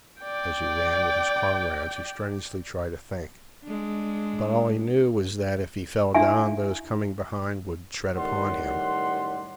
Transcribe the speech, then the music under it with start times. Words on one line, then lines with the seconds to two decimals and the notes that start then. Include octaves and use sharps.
As he ran with his comrades he strenuously tried to think, but all he knew was that if he fell down those coming behind would tread upon him.
0.22 D5 G5
3.64 G#3 D4
6.15 D4 E4 E5 G#5
8.16 F#2 A2 D#3 G3 F#5 C6